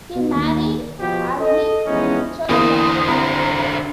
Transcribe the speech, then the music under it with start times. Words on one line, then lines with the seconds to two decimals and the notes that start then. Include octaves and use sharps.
He married Agnes Richardson.
0.16 B2
0.34 D#2
0.99 B2 F3 G4
1.40 A4 D#5
1.87 E3 F3 G#3 B3 C#4 D#4
2.49 E2 D3 A#3 C5 F5 D#6
3.08 C2 A#5